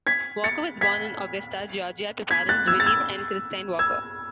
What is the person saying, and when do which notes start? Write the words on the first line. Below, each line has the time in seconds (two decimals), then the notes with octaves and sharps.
Walker was born in Augusta, Georgia to parents Willis and Christine Walker.
0.07 G#6 B6
0.44 A6 C#7
0.81 G#6 B6
2.31 G#6 B6
2.49 F#6 A6
2.67 E6 G#6
2.80 A6
2.86 E6 G#6
3.79 E6 G#6